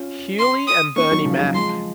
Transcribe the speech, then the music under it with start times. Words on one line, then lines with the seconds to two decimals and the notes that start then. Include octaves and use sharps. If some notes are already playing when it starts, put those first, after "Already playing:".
Hughley and Bernie Mac.
Already playing: C#4 F4
0.39 C6
0.67 D#6
0.96 A#3 C#4 C#6
1.11 D#3 F#3
1.25 C#3 F3
1.39 D#3 F#3
1.54 F3 G#3 C6